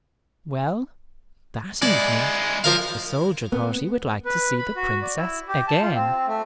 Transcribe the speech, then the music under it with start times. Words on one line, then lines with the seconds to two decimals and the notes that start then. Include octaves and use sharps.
Well, that evening the soldier thought he would like to see the Princess again.
1.82 G#3 E4 D5
2.64 F3 A#4 F5
3.52 B3
4.25 B4
4.58 B5
4.76 F#4
5.02 D5
5.17 E4
5.48 G4
5.68 A5
5.82 F4
5.95 C4
6.27 A3